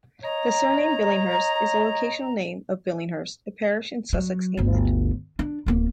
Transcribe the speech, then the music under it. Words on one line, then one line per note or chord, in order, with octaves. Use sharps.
The surname Billinghurst is a locational name 'of Billinghurst' a parish in Sussex, England.
C#5 D#5 A#5
F#3
G1 D2
D4
D1 A#3